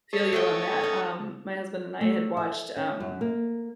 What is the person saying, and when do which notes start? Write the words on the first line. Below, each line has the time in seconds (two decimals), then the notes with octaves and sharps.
feel you on that, um, my husband and I had watched, um,
0.13 A4 C#5 D#5
0.33 A3 F#5 G5
0.81 C#4 D#4
2.01 A3
2.37 E5
2.77 C#4
3.00 F#2
3.21 A#3